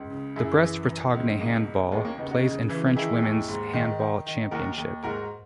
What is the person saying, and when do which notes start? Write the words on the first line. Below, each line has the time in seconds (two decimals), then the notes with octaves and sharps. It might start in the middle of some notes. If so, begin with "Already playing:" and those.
The Brest Bretagne Handball plays in French Women's Handball Championship.
Already playing: C#2
0.10 C#3
0.36 F#2 E4 G#4
0.63 E3
0.88 E3
1.14 C#2
1.40 B2 A#3
1.66 B2
1.92 D#2 G#3 B3
2.05 A#3 C#4
2.18 C#3 B3 D#4
2.31 D#4 F#4
2.45 C#3
2.69 E3
2.96 D#3 E4 G#4
3.22 D#2
3.48 G#2
3.73 D#3
4.00 D#3
4.26 D#3
4.51 D#2 F#4 A#4
4.78 D#2
5.03 G#2 F#4 A#4